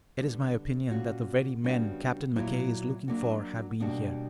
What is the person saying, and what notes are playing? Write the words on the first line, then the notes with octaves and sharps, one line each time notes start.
It is my opinion that the very men Captain McKay is looking for have been here.
D3 G3 B3
A#2 G3 C#4 F#4
C#3 G3 B3 D4 F#4
A#2 F#3 B3 E4
F#3 A#3 D4 F#4
B2 G3 A#3 D4 F#4